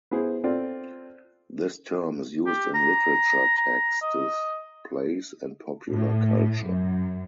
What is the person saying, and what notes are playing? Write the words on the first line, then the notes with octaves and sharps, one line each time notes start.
This term is used in literature texts, plays and popular culture.
B3 E4 G#4 C5
C4 F4 A4 D5
G4
A#5
A#5
D#5
A2
F#2